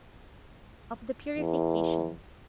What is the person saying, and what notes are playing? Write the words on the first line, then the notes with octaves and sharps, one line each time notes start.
Of The Purifications.
E2